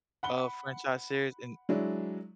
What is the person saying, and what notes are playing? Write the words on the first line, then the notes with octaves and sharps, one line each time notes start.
uh, franchise series, and
F#5 B5 G7
F#3 G#3 D4 E4